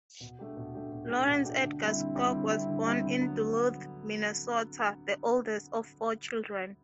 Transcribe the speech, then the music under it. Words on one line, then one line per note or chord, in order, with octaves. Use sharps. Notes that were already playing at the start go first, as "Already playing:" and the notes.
Laurence Edgar Skog was born in Duluth, Minnesota, the oldest of four children.
B2
A3 D4 G4
B2
A3 D4 G4
B2
A3 D4 G4
B2
A3 D4 G4
D3
G3 C4 E4
D3
G3 C4 E4
D3
G3 C4 E4
D3
G3 C4 E4
D3
F#3 B3